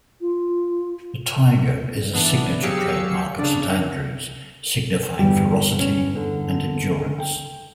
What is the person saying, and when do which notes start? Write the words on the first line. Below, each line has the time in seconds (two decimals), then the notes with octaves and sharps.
The tiger is a signature trademark of Saint Andrew's, signifying ferocity and endurance.
0.21 F4
2.13 E3 B3 D4
2.63 F#3 G4 G#4 F5 E6 C#7
3.39 C#3 D4
5.19 G1 E2 G3 G4
5.79 C#4
6.15 D3
7.18 G5